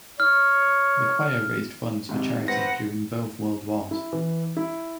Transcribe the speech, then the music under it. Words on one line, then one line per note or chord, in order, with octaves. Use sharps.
The choir raised funds for charity during both World Wars.
C#5 F6
G#1 G#2 C3
B4 C5 F#5 A#6
E4
E3
E4